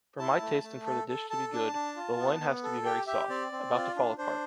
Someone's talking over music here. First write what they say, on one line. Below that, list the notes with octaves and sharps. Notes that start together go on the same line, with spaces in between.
For my taste and for the dish to be good, the loin has to be very soft, about to fall apart.
E4 A5
A3
A3
A4
A4
A4 A5
D4 A5
D4
F4
B3
B3
A4
G4 G5
G4 E5
C4 D5
C4
F4
D4
D4 C5